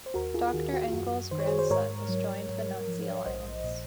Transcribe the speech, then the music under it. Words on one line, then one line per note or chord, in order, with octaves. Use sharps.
Doctor Engel's grandson has joined the Nazi Alliance.
C5
D#2 F#4 A#4
F4 G#4
G#4
D#3 F#4
F#4
F4
F#2 F#4
D#3 C5
C#5
G#4 C5
C5
G#2 A#4 C#5
F#3
G#2
F3
A#1 C5 D#5
A#2